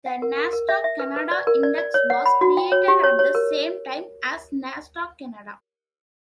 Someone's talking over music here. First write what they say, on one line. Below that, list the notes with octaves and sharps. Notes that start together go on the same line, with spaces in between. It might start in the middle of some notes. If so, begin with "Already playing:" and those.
The Nasdaq Canada Index was created at the same time as Nasdaq Canada.
F#5
A#4
A#4
A#4
E5
E5
B4
B4
D5
A#4
D5
D5
C#5
F#5
B5
F#4
G5
C#5
G4
C#5
C#5
A#4